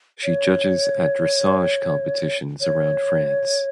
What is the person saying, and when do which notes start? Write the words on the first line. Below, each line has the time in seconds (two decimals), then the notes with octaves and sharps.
She judges at dressage competitions around France.
0.24 C#5
2.61 C#5